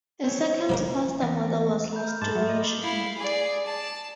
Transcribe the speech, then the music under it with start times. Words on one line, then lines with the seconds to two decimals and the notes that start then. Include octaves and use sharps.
A second plaster model was lost during shipment.
0.24 C4 C#5
0.69 F3 A#3 A#4
1.22 E2
1.93 A#5 B5 G6
2.07 B5 F6 G6
2.21 G#2 A5 C6 D6 E7
2.35 F#3 E5
2.49 D#5
2.83 E4 F5
3.18 G#4 D5
3.65 A5